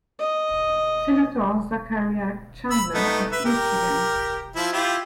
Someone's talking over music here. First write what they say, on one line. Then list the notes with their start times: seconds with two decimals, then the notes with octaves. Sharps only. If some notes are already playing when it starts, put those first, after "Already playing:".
Senator Zachariah Chandler of Michigan.
0.19 D#5
2.71 B5 E6
2.94 A3 B3 D#4
3.32 B4 E5
3.45 G4 A#4
4.56 F3 E4
4.73 E4 F4 G4